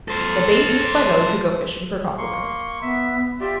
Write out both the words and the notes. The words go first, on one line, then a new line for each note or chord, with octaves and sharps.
The bait used by those who go fishing for compliments.
A4 C5
A#3 C6 C#6
B3 E5
F4 G4 D5 E5